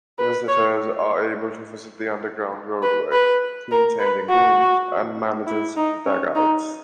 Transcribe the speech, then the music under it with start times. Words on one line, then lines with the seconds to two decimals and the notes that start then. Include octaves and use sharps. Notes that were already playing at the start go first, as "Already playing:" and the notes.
Visitors are able to visit the underground roadway, team changing rooms and managers dugouts.
0.18 B4
0.48 C#5
2.82 B4
3.12 B4
3.71 A#4
3.99 B4
4.29 F#4
5.47 E4
5.77 D#4
6.06 C#4
6.35 D#4